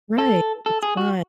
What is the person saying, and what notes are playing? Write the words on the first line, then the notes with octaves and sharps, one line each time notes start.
Right. It's fun.
A4
A4
G#4
F#4